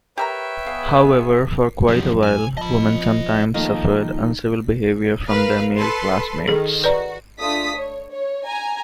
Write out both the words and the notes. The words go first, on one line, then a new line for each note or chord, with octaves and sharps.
However, for quite a while, women sometimes suffered uncivil behavior from their male classmates.
G4 A#4 B4 C#5 E5 G5 A#5
B3 G#4 F5
A#1 F#2 F3 G4
G#5
F3 D#5 A5 B5
D#3 F3 A3 A#3 D#4 F4
A#4 B4 F5
A4 B4 C6
D#3 G#4 A4 D#5
F#4 B4 D5 A#5
A3 D4 F4 D#6 B6
C#5
C#5
G#5 A#5